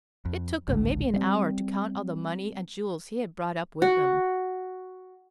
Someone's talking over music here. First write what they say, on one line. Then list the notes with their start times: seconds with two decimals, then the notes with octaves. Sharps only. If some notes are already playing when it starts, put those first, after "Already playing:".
It took him maybe an hour to count all the money and jewels he had brought up with him.
0.25 F2
0.68 G#1 C#2 A2 D3
1.14 G3 C4
3.82 F#4